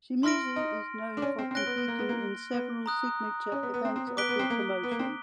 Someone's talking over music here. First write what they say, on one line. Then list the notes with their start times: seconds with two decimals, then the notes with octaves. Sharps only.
Shimizu is known for competing in several signature events of the promotion.
0.23 E4 C6 F6 A#6 D7
0.56 D#4
1.17 D4
1.22 C#4
1.39 C4
1.51 C4
1.55 C#4 F#6 A#6 D7 G7
1.66 B3
1.77 B3
1.88 A#3
1.99 B3
2.09 A#3
2.53 B3
2.86 A#5 D#6 F#6
3.52 C#4
3.63 B3
3.74 B3
3.85 C4
3.96 C4
4.07 B3
4.17 B3 D6 F#6 B6 D7 G7
4.29 B3
4.39 C4
4.50 A#3
4.83 B3
4.91 A#3
4.99 C4